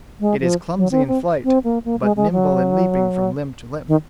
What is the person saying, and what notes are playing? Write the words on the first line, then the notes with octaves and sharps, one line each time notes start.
It is clumsy in flight, but nimble in leaping from limb to limb.
G#3
F3
F#3
C4
C4
C4
A#3
A#3
G#3
G#3
F#3
D#3